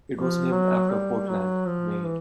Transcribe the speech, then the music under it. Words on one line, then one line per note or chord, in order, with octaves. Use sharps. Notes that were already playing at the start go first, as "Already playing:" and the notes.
It was named after Portland, Maine.
F3
F#3
G3
F#3
F3
E3